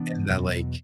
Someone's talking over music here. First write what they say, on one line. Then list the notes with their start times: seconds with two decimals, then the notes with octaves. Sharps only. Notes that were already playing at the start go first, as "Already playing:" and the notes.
And that, like,
Already playing: C3 E3 B3 D4
0.29 E2 B2 F#3